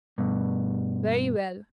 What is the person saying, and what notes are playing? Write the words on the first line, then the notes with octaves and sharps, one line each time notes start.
'Very well.
G2 B2